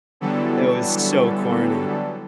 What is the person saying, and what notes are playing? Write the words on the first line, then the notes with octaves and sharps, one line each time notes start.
It was so corny.
D3 E3 F#3 G3 B3 A4